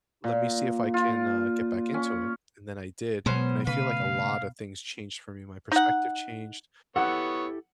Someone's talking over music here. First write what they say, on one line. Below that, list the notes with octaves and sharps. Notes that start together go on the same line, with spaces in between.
let me see if I can, uh, get back into it," and then I did, and I feel like a lot of things changed for me, my perspective changed,
A#2
F4
C#4
B2 F#3 G#3 B3 C#4 C5
C#3 A3 B4 F5
D#4 F#5
B3 E4 G4 A4 C#5 F#5